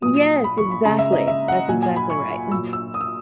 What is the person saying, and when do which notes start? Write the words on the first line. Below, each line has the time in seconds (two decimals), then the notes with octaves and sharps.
Yes, exactly. That's exactly right, mm
0.02 A#2 F#3 D#6
0.23 D#6
0.44 B5
0.58 C#6
0.71 B5
0.85 C#3 G#3 A#5
0.99 E5
1.13 D#5
1.28 E5
1.48 F#5
1.68 A#2 F#3 G#5
1.83 G#5
1.96 B5
2.10 C#6
2.52 A#2 F#3 E6
2.73 E6
2.94 D#6
3.01 E6